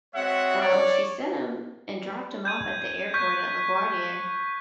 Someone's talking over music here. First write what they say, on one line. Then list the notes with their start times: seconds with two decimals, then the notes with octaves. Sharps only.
Well, she sent him and dropped him off at the airport at LaGuardia,
0.15 G#3 C4 F#4 C#5 E5 F#5
0.60 C#5 D5
2.45 G6 G#6 D#7
3.14 C#6 F#6 G6 B6